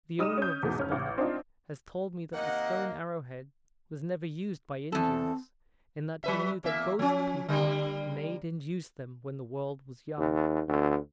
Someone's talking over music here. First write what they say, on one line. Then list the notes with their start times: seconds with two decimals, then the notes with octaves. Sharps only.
The owner of this bonnet has told me that the stone arrow-head was never used by Indians, and that he knew that ghost-people made and used them when the world was young.
0.19 G3 D#4 D#6 F6 D#7 E7
0.38 C#4 G6
0.63 E2 G#2 B2
0.78 F1 C#4 F6
0.92 A1
1.18 C4 D4 D#4 F4
2.34 C3 D#3 A#3 D#5 F#5
4.92 E2 C4 A4
6.24 F#3 B4 E5
6.64 E2 A#3 E5
6.99 F3 C#4
7.49 D3 G3 A#3
10.18 D#2
10.69 D2